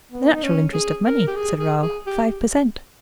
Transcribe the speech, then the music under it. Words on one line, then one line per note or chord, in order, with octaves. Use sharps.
"The natural interest of money," said Raoul,--"five per cent."
B3
D#4
C#4
G#4
A#4
G4
G#4
G#4
G#4
G4